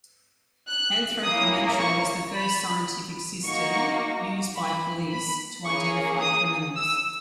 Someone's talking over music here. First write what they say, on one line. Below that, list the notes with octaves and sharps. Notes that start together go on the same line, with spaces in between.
Anthropometry was the first scientific system used by police to identify criminals.
F#6
A#3 C#4 E4 D#6
C#6
B5
A#3 D#4 F#4 C#6
B5
B5
A#3 C#4 G#4 C#6
D#6
E6